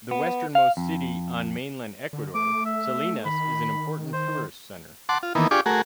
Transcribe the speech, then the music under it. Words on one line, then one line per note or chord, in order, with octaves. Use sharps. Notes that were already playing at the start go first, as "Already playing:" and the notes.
The westernmost city on mainland Ecuador, Salinas is an important tourist center.
B3
F5
F2
D3
A3 D6
E5
D#3 B5
C5
F#5 A5 C6 D6
F4
D#3 E3 A#3 B3
D4 F4 G4 G#4 C#6 D6
A3 F#4 G#4 A#4